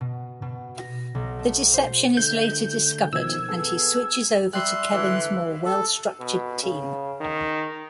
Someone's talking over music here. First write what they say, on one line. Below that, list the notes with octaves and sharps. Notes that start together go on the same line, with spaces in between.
The deception is later discovered and he switches over to Kevin's more well-structured team.
B2
B2
A#6
B1
A3
C5
D3 A3 G6
B2 D#3 F3 E6 G#6
B3 G#4 A4
G3 E5 C6 F#6
D3 E3
A4
B2
C#3
D#3